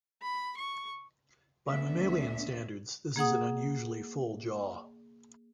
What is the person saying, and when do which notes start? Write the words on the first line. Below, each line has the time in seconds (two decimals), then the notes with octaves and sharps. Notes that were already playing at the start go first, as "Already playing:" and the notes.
By mammalian standards, this is an unusually full jaw.
0.22 B5
0.57 C#6
1.69 D2 A#2 B3 C#4 D4 E5
3.16 A#3 G#4 F#5 D#6